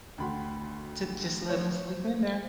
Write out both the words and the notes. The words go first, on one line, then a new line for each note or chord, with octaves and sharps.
To just let 'em sleep in there.
D2 F#4 G5 B5 C6
C5 C#5